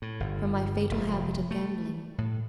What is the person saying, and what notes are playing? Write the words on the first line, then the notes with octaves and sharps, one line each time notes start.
From my fatal habit of gambling.
A2
G1
F1
A3
A2